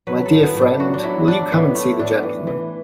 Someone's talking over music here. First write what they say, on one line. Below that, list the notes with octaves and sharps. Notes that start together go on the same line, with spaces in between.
My dear friend, will you come and see the gentleman?
F#3 B4
A4
A2
B3
A2
D4
F#3 F#4
D4
F#3 E4
F#3 D4
A2 B3
A2 A3
A2 D4
E3
E3